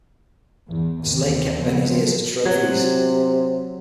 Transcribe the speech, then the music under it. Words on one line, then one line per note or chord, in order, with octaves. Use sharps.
Slade kept Beni's ears as trophies.
E2
D#2 C3
C#3 F3 F#3 B3 C4
C3 F#3